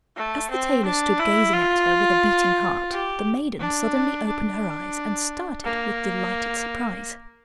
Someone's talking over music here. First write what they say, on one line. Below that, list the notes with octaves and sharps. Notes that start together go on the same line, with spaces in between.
As the tailor stood gazing at her with a beating heart, the maiden suddenly opened her eyes, and started with delighted surprise.
A3
C4
D4
E4
F4
G4
D4
D4
A#3